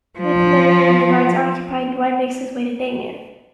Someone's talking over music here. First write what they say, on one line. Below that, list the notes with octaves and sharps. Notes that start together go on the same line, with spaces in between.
With Manute and the guards occupied, Dwight makes his way to Damien.
F3